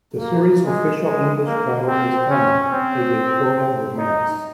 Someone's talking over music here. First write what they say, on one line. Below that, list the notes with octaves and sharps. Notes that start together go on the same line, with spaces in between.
The series' official English title is "Emma - A Victorian Romance".
A#3
G#3
G#3
A#3
C4
C#4
C4
D#4